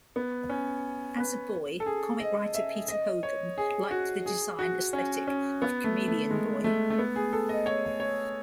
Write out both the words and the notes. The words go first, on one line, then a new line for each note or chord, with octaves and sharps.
As a boy, comic writer Peter Hogan liked the design aesthetic of Chameleon Boy.
B3
C#4
B4
A4
G#4
D#5
E5
D#5
C#5
G#4
F#4
G#4
F#4
C#4
C#4
B3
A3
A3
G#3
A3
A3
B3
G#4
A4
D#5
C#5
C#5